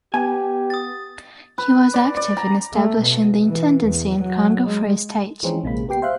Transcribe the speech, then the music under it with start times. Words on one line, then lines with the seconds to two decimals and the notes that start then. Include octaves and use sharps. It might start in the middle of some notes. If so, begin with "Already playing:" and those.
He was active in establishing the intendancy in Congo Free State.
0.14 B3 G4 G#5
0.70 D#6 A6
1.58 B4
1.94 D5
2.17 D5
2.37 A#5
2.73 A3
3.02 B2
3.45 E3
3.85 E2
4.20 F#3
4.65 G#3
5.43 E3 F3 G#3 C4 C#4 D#4
5.64 A#1 C3 G#3 A#3 B5
5.89 B3 G4 G5 C7
6.02 C5 E5 F5 C6 F#6